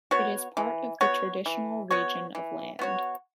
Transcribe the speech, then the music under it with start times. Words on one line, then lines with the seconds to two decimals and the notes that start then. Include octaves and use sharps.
It is part of the traditional region of Land.
0.11 B3 F#4 C#5
0.57 E3
1.01 B3 F#4 C#5
1.46 E3
1.90 B3 F#4 C#5
2.35 E3
2.79 B3 F#4 C#5